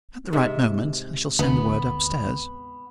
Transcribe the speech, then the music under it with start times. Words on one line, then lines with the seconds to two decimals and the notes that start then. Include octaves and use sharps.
At the right moment, I shall send word upstairs.
0.33 G#2 C3 E5
1.39 D2 B3